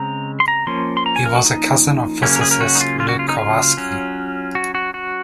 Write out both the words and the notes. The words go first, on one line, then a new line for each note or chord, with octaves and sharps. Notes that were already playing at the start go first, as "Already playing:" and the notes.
He was a cousin of physicist Lew Kowarski.
Already playing: C#3 G#3 C4 A#5
C6
A#5
F3 A#3 C#4 C6
C6
A#5
G#5
A#4
F#4
D#4
C#3 F#3 A#3 C#4
A#4
G#4
A#4
F#4
D#4
F4
F4
F#4
F4
D#4
F4
F#3 C#4
F#4
F#4
F#4